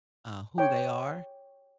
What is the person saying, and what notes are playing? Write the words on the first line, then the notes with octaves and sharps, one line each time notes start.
uh, who they are,
C#5 G5